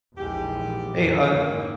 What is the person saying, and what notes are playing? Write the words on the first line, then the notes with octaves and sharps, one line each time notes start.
Hey, uh,
A#1 E2 G#2 G4
F2 D3 D#3
G#2 D#3 E3 A#3